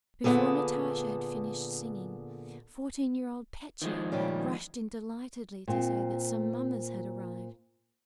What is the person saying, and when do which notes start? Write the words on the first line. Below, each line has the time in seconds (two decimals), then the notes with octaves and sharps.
Before Natasha had finished singing, fourteen-year-old Petya rushed in delightedly, to say that some mummers had arrived.
0.24 A#2 D3 B3 F4 G#4 A4
3.82 D#3 F3 G#3
4.12 A#2 C#3 G3
5.68 A#2 C4